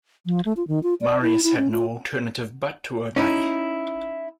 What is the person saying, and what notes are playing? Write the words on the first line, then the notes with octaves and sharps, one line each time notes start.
Marius had no alternative but to obey.
F3
A3
F4
D#3
F4
D5
E4
E4
C#4
F4
C#4 D#4 E4